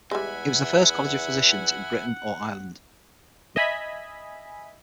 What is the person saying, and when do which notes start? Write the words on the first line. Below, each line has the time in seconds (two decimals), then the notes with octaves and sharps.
It was the first College of Physicians in Britain or Ireland.
0.11 E2 G3 G#3 E5 F#5 G#5 B5
3.56 D#5 E5 G#5 B5 G#6 B6